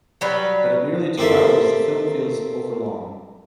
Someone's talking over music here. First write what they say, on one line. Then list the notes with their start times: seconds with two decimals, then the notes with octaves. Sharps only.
But at nearly two hours, the film feels overlong.
0.21 F#3 G3 B4
1.18 A#3 C4 G4 A4 E5